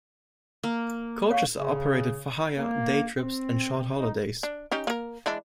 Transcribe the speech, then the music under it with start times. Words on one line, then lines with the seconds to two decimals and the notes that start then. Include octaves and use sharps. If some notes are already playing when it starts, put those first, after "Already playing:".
Coaches are operated for hire, day trips and short holidays.
0.63 A#3
1.30 C#5 F5 C#6
1.57 C#3
2.57 A#3
3.16 C4
3.98 D#4
4.43 D4
4.72 C#4 D#4 G4
4.87 A#3 A#4
5.26 E3 G#3 D4